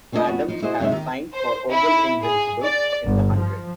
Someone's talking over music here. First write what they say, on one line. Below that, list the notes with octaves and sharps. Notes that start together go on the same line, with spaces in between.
Adams has signed for Oval Invincibles in The Hundred.
A3 C4 D4 E4 F4 D#5
F2 B3 C#4 F#4
F3 D#4
E4 F#4 G#4 C5 D#5
F#2 C3 G#3 D#4 E5
D#3 G4
C5
E4
G#4
D5
G1
F3